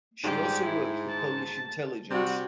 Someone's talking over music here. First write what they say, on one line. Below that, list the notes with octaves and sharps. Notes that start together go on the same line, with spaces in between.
She also worked for Polish intelligence.
G#2 G3 G4
E4
A5
C3 G3 F#4